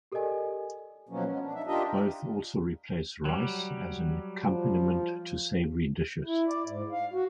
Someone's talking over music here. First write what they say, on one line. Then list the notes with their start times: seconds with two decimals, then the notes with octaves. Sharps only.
Both also replace rice as an accompaniment to savory dishes.
0.12 G4 A4 A#4 D5 D#5 G#5
1.09 B2 F3 F#3 A#3 B3 C#4
1.26 G#3 B3 C#4
1.41 D4
1.55 D4 D#4 E5
1.66 D4 F4 G4 A#4 D#5 E5
3.25 F#3 G3
4.45 F3
6.27 E4
6.48 D5
6.66 G#2
6.92 F5
7.13 F#4